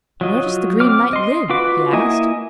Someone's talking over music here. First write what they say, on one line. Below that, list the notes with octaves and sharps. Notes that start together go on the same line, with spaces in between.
'Where does the Green Knight live?' he asked.
F#3 F4 D#5
C4 D6 F6
D#5 C6
F4 F#4 B4 D6
A#3 E4 D#5 G#5